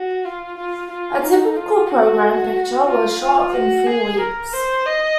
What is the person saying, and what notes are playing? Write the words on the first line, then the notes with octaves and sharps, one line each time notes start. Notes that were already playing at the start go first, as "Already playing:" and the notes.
A typical program picture was shot in four weeks.
Already playing: F#4
F4
F4
F4
D#4
F4
F#4
F4
F4
F#4
G#4
A#4
C5
D#5